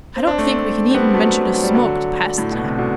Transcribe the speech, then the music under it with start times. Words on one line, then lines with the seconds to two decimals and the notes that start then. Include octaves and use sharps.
I don't think we can even venture to smoke to pass the time.
0.16 C4
0.27 D4
0.38 A3 C4
0.91 C4
0.94 G3 B3
1.14 F#3 A3
1.54 F#3
1.64 G3
1.74 D3 F#3
2.38 A2
2.51 B2
2.64 C3
2.78 B2 D3